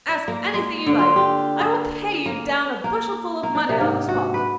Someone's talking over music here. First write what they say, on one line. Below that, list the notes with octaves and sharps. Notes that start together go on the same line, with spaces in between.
'Ask anything you like! I will pay you down a bushelful of money on the spot.'
D5
A#3
G#3
D3
F4
G4
G#4
A#3
A#3
A#3
D4
C3
G#2
F#4
B4